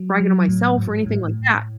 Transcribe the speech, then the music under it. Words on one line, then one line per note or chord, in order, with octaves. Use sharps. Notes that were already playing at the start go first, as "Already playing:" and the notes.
bragging on myself or anything like that,
Already playing: F#3
F#3
A2
G#2
A2